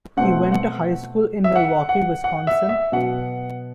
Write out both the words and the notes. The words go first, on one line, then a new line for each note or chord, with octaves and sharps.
He went to high school in Milwaukee, Wisconsin.
B2 A3 C4 F#5
F#5
E5
F#5
F#5
F#5
E5
E5
B2 F#3 B3 F#5